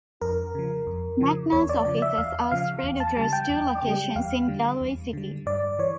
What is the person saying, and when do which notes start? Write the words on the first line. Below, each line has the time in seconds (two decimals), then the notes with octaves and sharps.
Macnas offices are spread across two locations in Galway city.
0.21 F2 A#4
0.55 C#3 F3
0.87 F2
1.21 C#3 F3
1.52 E2 C#5
1.69 D5
1.85 C#3 F3 D5
2.02 E5
2.18 E2 F5
2.51 C#3 F3 F5
2.83 E2
3.00 A5
3.17 C#3 G3 A5
3.33 G5
3.49 E2
3.82 C#3
3.87 G3
4.16 E2 F5
4.48 D3 G3
4.81 E2
5.13 D3 G3
5.46 G2 D5
5.79 E3 C#5